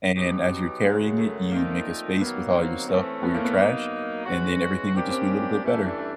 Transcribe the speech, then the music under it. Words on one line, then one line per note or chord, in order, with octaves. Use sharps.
and as you're carrying it, you make a space with all your stuff or your trash, and then everything would just be a little bit better.
B2 F#3 B3 D#4 G4
F#2 C#3 F#3 G#3
A3
A#2 F3 A3 A#3 C4 D#4
D#3 F#3 A#3 B3
C4
E3 A3 C4 C#4
B3
A#3
B3
F#3 A#3 D#4
E3 G#3 C#4 F#4
D#3 G3 A#3 C4 D4 G4
C#4
C4
C#4
G2 E3 A3 C#4
D4
D4